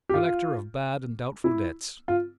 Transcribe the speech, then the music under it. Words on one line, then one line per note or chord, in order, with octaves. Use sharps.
Collector of bad and doubtful debts.
G4
F4
E4
F4